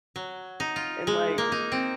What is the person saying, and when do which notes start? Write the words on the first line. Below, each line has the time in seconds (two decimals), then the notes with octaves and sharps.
And like
0.16 F#3
0.60 D#4
0.76 F4
1.07 G#3
1.38 A#3
1.52 D#4
1.72 C4